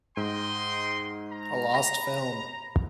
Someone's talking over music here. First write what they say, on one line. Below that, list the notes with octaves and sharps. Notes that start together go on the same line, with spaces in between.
A lost film.
G#2 D#5 G5 C6
A#5
B5 A#6